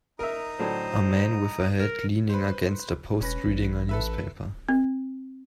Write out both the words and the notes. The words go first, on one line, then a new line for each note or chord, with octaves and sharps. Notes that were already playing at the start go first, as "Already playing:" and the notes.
A man with a hat leaning against a post reading a newspaper.
D#4 A#4 E5 A#5 D#6
A2 D3 F#3 C5
A#4
B4 C5
E1 C#4 B4 A#6
A1
A4 B4 E5
C4